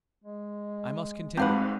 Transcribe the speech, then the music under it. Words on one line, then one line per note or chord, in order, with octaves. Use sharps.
I must continue?
G#3
G#1 G#2 C4 G4 B4 F5 F#5